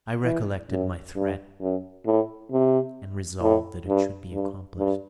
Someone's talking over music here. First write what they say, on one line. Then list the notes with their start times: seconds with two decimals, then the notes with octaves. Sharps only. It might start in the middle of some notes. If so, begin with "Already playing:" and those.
I recollected my threat and resolved that it should be accomplished.
0.24 E3
0.71 F#2
1.16 G2
1.61 F#2
2.06 A2
2.52 C3
3.41 A2
3.88 G2
4.33 G2
4.78 G2